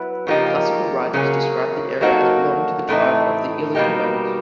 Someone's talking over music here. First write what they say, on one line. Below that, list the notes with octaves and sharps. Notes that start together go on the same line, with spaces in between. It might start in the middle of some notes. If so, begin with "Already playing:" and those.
Classical writers described the area as belonging to the tribe of the Ilercavones.
Already playing: F#3 B3 E4
C#3 F3 A#3 D#4 G4
C#3 F#3 A#3 C#4
F#3 A#3 D#4 F#4 A4
A2 E3 A3 C4 D#4
B2 G3 A#3 D#4 G4